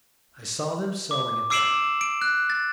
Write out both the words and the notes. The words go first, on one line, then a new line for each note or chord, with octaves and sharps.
I saw them selling at that.
D6
D6 E6 C7 D7 E7 F#7
D7
F#6
A6